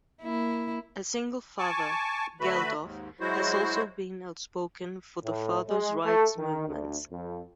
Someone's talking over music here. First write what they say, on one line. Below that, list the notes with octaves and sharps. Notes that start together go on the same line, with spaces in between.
A single father, Geldof has also been outspoken for the fathers' rights movement.
A#3 E4
G#5 A5 C#6 D6
D3 A3 F#4 B4 E5 B5
D#2 G#2
F#3 G#3 E4 F#4 C5
A2
G#3
A3
D#3
D2
F2